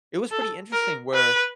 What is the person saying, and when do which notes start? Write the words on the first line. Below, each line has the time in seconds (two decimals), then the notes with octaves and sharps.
it was pretty interesting where
0.31 A4
0.73 A#4
1.14 B4